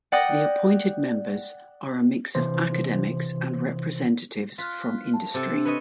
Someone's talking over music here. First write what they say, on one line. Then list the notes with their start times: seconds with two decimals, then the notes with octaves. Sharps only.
The appointed members are a mix of academics and representatives from industry.
0.12 D5 F#5 G5 D#6 A#6
2.35 C3 E3 C5
4.58 F4 F6 F#6 B6
5.14 A5
5.34 C3 A4
5.53 D4
5.65 B4 C#5 D#5